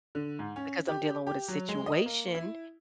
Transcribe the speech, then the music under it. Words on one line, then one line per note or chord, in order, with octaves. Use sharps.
because I'm dealin' with a situation.
D3
G#2
C#4
G4
G4
F#3
G#3
D#5
A#3
E4